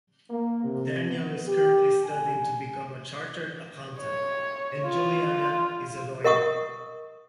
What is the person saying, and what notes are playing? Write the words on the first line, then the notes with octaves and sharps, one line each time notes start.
Daniel is currently studying to become a chartered accountant and Julianna is a lawyer.
A#3
C3
B3
G4
G#5
C#5
F4
A#4 D#5 F#5 C#6 D#6